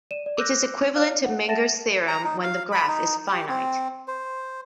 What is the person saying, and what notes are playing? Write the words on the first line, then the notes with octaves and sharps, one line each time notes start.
It is equivalent to Menger's theorem when the graph is finite.
D5 D#7 E7
D5
D6 E6 F#6 G6 A#6
C#5 D5 F5 F6
F#5
E5 F#5 A5 A6 A#6 E7
A#5
D#4
F5
B5
D#4
G4
C4
C5